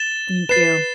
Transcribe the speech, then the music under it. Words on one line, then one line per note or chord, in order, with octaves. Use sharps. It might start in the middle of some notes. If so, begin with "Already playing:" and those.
Thank you.
Already playing: A6 E7 G7
B4 A6 C7 E7